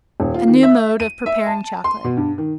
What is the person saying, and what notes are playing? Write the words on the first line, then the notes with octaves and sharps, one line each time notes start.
A New Mode of Preparing Chocolate.
D#1
F4
D#3
E5
D#7
E5
A5
C6
B2
G2
D#3